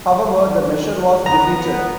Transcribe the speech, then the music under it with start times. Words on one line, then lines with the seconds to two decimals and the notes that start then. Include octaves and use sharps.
However, the measure was defeated.
1.26 B3 A#5